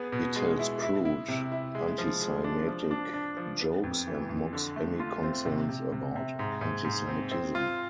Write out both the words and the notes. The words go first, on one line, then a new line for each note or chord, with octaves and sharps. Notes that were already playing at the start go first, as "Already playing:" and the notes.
He tells crude antisemitic jokes and mocks any concerns about antisemitism.
Already playing: B3 G#4
B2
G#3
E4
E4
E4
C3
E4
G#3
F3
G#3
D4
F3
D4
D4
F3
B3
F2
E3
F2
D3
A3
F4
C4
C3
C3
C3
C3
G#2
G#2
G#2
C4
C4
F4